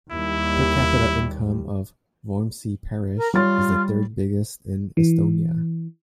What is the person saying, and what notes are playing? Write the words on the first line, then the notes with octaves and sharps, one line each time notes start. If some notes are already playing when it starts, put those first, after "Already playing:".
Per capita income of Vormsi Parish is the third biggest in Estonia.
D#2 G3 E4
A#4
G3 F4 C#5 A6
E3